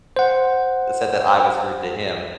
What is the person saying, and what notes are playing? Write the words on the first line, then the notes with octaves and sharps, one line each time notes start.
said that I was rude to him.
C5 F#5